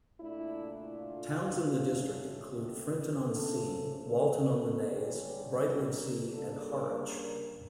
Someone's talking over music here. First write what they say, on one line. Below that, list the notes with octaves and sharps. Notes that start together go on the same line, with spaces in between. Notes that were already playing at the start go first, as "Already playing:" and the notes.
Towns in the district include Frinton-on-Sea, Walton-on-the-Naze, Brightlingsea and Harwich.
A#2 A3 D4 E4
F4
F2 D3 A3 C#4
G4
C#3 F3 A3 C#4 A4
A4
E2 D3 G3 C#4
A#4
C#3 G3 A#3 D4 A4
A#4
A#4